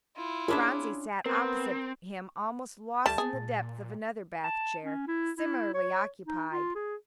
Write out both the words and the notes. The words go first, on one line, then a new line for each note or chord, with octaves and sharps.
Phronsie sat opposite him almost lost in the depth of another Bath chair, similarly occupied.
E4 F4
C#4 D4 G#4 E5 B5
B3 C4 A#4
D2 G3 A3 A5
B3 G#4
A#2
A5
C#4
E4
E4
C#5
D#4
F4
G#4